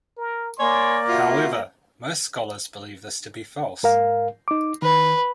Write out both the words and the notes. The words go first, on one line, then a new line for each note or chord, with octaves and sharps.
However, most scholars believe this to be false.
A#4
A#3 C#5 D5 G#5 C6
F4 F#4 E5
G#2 A#4 F5
D#4 D6
D#3 B4